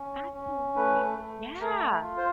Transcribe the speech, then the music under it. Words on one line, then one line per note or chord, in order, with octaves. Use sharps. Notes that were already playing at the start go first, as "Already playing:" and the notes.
Absolutely, yeah.
Already playing: C#4
C#4
A3 B4
A3
A3 A#4
F4
C5